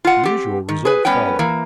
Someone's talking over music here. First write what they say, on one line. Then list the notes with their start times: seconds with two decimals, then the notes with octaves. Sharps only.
The usual result followed.
0.05 F4 F#5
0.24 C4 G4
0.69 D#3
0.85 G#4 B4
1.05 G3 B3 C#4 B4 G5
1.39 E3 A#3